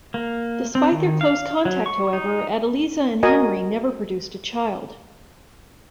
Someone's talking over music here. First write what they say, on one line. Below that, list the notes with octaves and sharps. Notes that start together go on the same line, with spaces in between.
Despite their close contact, however, Adeliza and Henry never produced a child.
A#3
C4
D#3
F5
F#3
C#6
D#4
F#4 A#4 D#5 G#5